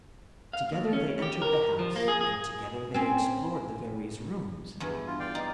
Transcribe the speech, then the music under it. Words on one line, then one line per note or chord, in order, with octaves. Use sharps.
Together they entered the house and together they explored the various rooms.
F5
D#2
C#4
G4
A#4
F3
A#3
G#4
G#4
C4 C#4
E2 G2
F4
D5 F5 G5
D#4